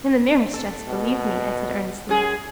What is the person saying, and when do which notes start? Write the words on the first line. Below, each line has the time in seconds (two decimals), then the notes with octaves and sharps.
"In the merest jest, believe me!" I said earnestly.
0.53 A4
0.88 B2
2.09 F#2 G#4